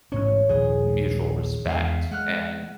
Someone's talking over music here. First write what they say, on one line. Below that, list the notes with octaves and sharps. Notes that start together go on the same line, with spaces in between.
mutual respect and
A1 G#2 C#4 C#5
A#1 D#2 F3 G#4
E2 G#3 E5 F5
G#3 F#5 F6 F#6